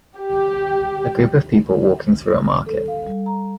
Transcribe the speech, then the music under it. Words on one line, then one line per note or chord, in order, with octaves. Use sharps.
A group of people walking through a market.
G4
A4
F5
G3
A#5